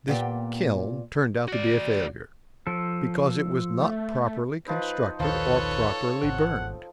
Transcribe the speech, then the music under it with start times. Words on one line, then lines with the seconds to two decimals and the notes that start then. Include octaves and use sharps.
This kiln turned out to be a failure, because it was not properly constructed or properly burned.
0.08 A#2 B3 G4
1.48 F#4 D5
2.67 F3 A4
3.79 A3
4.67 F3 D#4 B4
5.20 A#1 D#2 D#3 F3 A4 B4 C#5
6.23 G#1 F#5